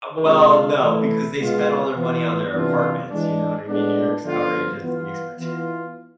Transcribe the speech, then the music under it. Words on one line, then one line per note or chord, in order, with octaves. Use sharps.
Uh, well, no, because they spend all their money on their apartments, you know what I mean? New York's outrageous, the expression.
C3 G#3 D4 F4
E3 A3 E4
B2 G#3 B3 F4
E3 B3 F4
C3 E3 B3 D4 F4
E3 G#3 D4
A2 G#3 B3 D4
D3 F3 B3 F4
E3 B3 F4
E3 B3 F4